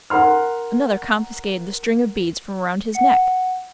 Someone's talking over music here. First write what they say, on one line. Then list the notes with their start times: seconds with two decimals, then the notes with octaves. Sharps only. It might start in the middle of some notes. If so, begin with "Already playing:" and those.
Another confiscated the strings of beads from around his neck.
0.10 A#4 F#5 C6 F6
2.94 F#5 C#7